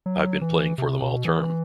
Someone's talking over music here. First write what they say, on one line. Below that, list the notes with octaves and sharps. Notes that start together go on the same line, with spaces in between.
I've been playing for them all term.
F#3
E3
C3
B2
E3